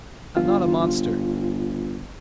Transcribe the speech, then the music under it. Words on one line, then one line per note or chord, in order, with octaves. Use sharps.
I am not a monster.
G1 F4